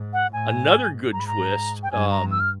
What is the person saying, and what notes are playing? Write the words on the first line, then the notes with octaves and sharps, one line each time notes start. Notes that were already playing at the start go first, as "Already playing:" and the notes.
Another good twist, um,
Already playing: G#2
F#5
A2 G#5
G#2
G#2 A#5
B5
A#5
G5
G2 G#5
A#5
E6
F6